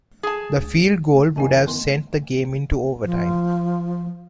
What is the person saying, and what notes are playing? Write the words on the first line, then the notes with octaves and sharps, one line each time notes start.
The field goal would have sent the game into overtime.
G#4 A5
C#2
F#2 D#3 E3 F5 G#5 A5
D3 B3 C6
F3